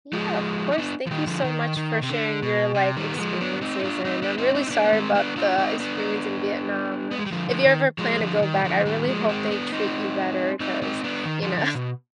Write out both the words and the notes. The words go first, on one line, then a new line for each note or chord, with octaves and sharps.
Yeah, of course, thank you so much for sharing your, like, experiences, and I'm really sorry about the experience in Vietnam. If you ever plan to go back, I really hope they treat you better 'cause, you know
F3 G#3
D#4
B3 D4
F3
D#3 G3
D3 F3
D#3
D#3
C3
D3
B2
C3
D#3 G3
B3
F3 G#3
B3 D4
C4 D#4
D#4
D4 F4
C4 D#4
B3 D4
C4 D#4
C4 D#4
D#4
B3 D4
B3
G#3 C4
B3 D4
D4 F4
C4 D#4
B3 D4
B3
G#3
G3
D3 F3
D3 F3
D#3
F3 G#3
D3 F3
F3
D#3
G3
D3 F3
D#3 G3
F3 G#3
G#3 C4
B3 D4
C4 D#4
C4 D#4
C4 D#4
B3 D4
D#3
D3 F3
D3
B2